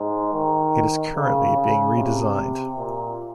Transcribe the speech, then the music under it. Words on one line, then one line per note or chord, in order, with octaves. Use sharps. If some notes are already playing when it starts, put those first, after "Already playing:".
It is currently being redesigned.
Already playing: G#2
D#3
C#3
C#3
C3
A#2